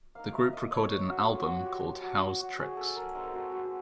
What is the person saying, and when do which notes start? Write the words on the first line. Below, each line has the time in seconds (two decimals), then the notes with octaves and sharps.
The group recorded an album, called "How's Tricks".
0.15 A#3 D#4 F5
0.34 E5
0.53 D#5
0.71 C#5
1.09 F#4
1.28 F4
1.46 F#4
1.65 G4
2.02 F#4
2.40 F#4
2.59 G#4
2.77 A4
2.96 A#4
3.14 G#3 C4 D#4 A4
3.33 F#4
3.52 F#4